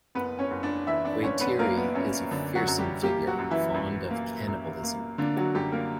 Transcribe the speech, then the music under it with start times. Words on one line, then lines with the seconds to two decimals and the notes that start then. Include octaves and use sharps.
Whaitiri is a fearsome figure, fond of cannibalism.
0.15 F#1 B3 B4
0.39 C#4 C#5
0.51 F#1
0.63 D4 D5
0.87 E3 E4 E5
1.05 D4 D5
1.23 F#1 C#4 C#5
1.41 B3 B4
1.58 F#2 A#3 A#4
1.77 B3
1.95 F#2 C#4
2.31 F#2 D3 D4
2.55 F#3 F#4
2.67 F#2
2.78 G3 G4
3.02 G3 A#3 G4
3.27 F#3 F#4
3.39 F#2
3.51 E3 E4
3.74 F#2
4.11 A#3
4.47 F#2
4.83 A#3
5.18 D3 A#3 D4
5.37 F#3 F#4
5.55 F#2 G3 G4
5.72 A#3 A#4